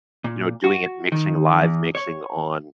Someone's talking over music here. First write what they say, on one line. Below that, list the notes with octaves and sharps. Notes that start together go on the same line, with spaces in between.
you know, doing it, mixing live mixing on,
A#2
F#4
D#3
E2
C#5